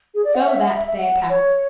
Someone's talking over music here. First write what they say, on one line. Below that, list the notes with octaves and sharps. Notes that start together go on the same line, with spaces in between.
So that day passed.
G#4
D5
F#5
E5
F#5
E5
E5
E5
F#5
C#5